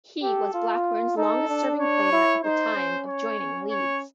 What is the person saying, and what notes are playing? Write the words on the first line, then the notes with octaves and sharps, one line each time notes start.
He was Blackburn's longest serving player at the time of joining Leeds.
G4 A4
F4
D#4 A4
D4
C#5
E4
D#4 C5
C#4
C#5
C#4
C#5